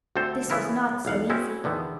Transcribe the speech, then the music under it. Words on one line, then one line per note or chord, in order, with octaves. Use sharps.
This was not so easy.
D2 D3 A3 C4 A4 C5
C#3 E3 B3 E4 F4 A#4
B1 E2 F5 F#5
G#3 C4 C#4 E4 F#4
E2 D3 D#3 B3